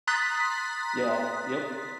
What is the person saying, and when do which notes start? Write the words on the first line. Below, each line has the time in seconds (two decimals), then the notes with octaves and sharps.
Yeah. Yep.
0.07 A#5 C6 D#6 F#6 A6 B6